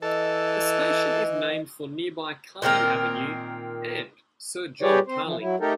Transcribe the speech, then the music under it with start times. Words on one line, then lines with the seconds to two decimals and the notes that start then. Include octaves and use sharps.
The station is named for nearby Carling Avenue and Sir John Carling.
0.02 E3 A4 D#5
2.62 A#2 D#3 C4 A#4
4.82 G3 G4 G#4 B4 C#5 D5
5.07 C4 C5
5.23 E3 F3
5.40 F#3 E4
5.60 A3 D#4 G4 A4 A#4